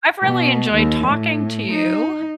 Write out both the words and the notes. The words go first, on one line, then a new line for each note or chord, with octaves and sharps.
I've really enjoyed talking to you.
B2
D#2
A2
D#4